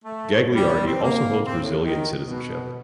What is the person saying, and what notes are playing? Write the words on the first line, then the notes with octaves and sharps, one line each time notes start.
Gagliardi also holds Brazilian citizenship.
A3
G3
C4
A#3
C4
A2
D#3
B2